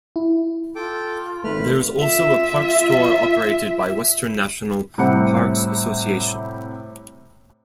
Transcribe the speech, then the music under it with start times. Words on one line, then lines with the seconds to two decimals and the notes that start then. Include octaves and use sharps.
There is also a Park Store operated by Western National Parks Association.
0.16 E4
0.75 F4 A4 G5 D6
1.44 G#1 A3 B4 F6
2.01 F4 E5
4.98 A2 C3 G3 C4 F#5 C#7